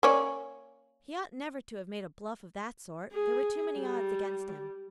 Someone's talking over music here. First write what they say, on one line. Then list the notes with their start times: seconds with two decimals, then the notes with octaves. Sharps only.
"He ought never to have made a bluff of that sort; there were too many odds against him."
0.03 A#3 C#4 D5
3.12 G#4
3.76 G3